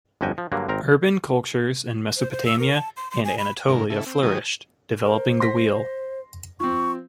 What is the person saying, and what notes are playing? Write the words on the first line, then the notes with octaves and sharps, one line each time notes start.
Urban cultures in Mesopotamia and Anatolia flourished, developing the wheel.
G1 F2 C#4 F#4 G5 G#5
F3
G2 D3 F#3 A#3
G#1 C4 A#4 A#5
C5
C5
E6
A#4
A5
C6
C6
G#5
B5
G#2 D3 A#4
C#3 E4 A4
C4
D#3 F#3 G#3 G4 D#6
A#4 C5
C6 A#6 B6
F3 C4 C#6